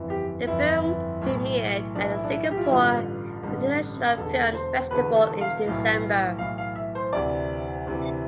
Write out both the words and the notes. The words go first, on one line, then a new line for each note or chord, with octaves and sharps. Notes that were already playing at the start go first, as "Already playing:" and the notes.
The film premiered at the Singapore International Film Festival in December.
Already playing: G1 F2 E3
G4
G1 F2 E3 E4
B1 A2 E3
B1 A2 E3 D4
E4
D4
E4
G4
F4
E4
A1 G2 D3 F4
A1 G2 D3
E1 E2 D3 A4
C5
E1 E2 D3 B4
A4
F5
B1 A2 E3
B1 A2 E3 F5
F5
E5
C5
D2 C3 E3 D5
D2 C3 E3